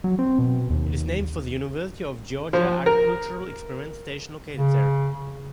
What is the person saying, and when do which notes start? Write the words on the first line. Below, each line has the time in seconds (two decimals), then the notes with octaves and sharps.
It is named for the University of Georgia Agricultural Experiment Station located there.
0.04 F#3
0.19 C4
0.39 B2
0.70 D#2
2.53 F3
2.86 A#4
4.56 C#3